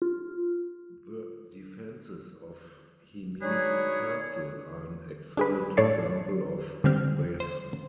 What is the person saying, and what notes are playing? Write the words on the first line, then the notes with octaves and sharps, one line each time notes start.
The defenses of Himeji castle are an excellent example of this.
F4
D4 D#4 F#4 G#4 B4 C#5
D4 G#4 B4
A2 A4 C#5 D5 C7
D3 G3 C4 F6
C5